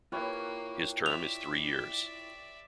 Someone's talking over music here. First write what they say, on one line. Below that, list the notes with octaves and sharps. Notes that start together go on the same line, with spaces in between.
His term is three years.
A#3 E4 F4 G4 B4 C#5
D5 E5 F7